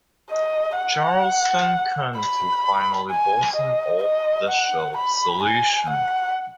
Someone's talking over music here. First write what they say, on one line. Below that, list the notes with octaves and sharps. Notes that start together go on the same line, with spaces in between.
Charleston County finally bought an off the shelf solution.
D#5
F#5
B5
G#5
D#5
D#5
F#5
B5
G#5
F#5